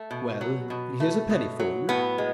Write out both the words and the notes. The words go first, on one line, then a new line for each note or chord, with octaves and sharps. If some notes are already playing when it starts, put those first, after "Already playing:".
"Well, here's a penny for you."
Already playing: A3
B2
F#3
B2
A3
B2
F#3
A2 B3
G#3